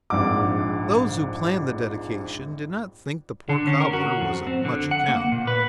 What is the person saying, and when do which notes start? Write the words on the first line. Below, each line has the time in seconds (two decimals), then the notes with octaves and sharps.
Those who planned the dedication did not think the poor cobbler was of much account.
0.10 A#1 F2 G#2 F#5 D6
3.49 D3
3.67 C#4
3.80 A#4
3.93 F#4
4.20 F2
4.47 C4
4.65 D3
4.91 F#5
5.08 A#3
5.32 A#2
5.47 B4